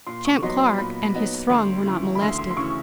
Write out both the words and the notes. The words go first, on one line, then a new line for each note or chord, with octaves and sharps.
Champ Clark and his throng were not molested.
A#2 C6
C#6
F#3 B3 D#4 C6
C6
C6
A#2 B5
F#3 B3 D#4
D2 C6
C#3 E3
B5
D2 C6
C6
C6
C#3 E3 C#6